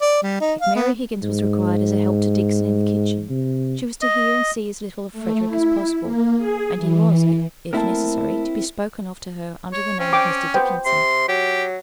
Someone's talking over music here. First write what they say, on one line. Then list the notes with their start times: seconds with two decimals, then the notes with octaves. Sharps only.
If Mary Higgins was required as a help to Dixon in the kitchen she was to hear and see as little of Frederick as possible; and he was, if necessary to be spoken of to her under the name of Mr. Dickinson.
0.01 D5
0.23 G3
0.41 D#4
0.61 F5
0.75 B3
1.22 G#2
3.30 C3
4.02 D#5
5.12 A3
5.46 E4
6.03 A#3
6.37 G#4
6.76 E3
7.73 A3 A#3 C4 E4 A#4 A5
9.73 C#5
10.00 C4 C#4
10.13 G5 D6
10.54 B3 C5 G5
10.85 C3 C6
11.28 F#3 G4